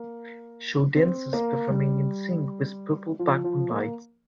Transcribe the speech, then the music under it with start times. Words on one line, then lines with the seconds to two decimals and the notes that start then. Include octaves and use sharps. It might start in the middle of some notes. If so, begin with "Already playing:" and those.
Show dancers performing in sync with purple background lights.
Already playing: A#3
0.96 C4
1.33 A#3
1.70 G3
3.19 F3
3.44 F3
3.70 A#3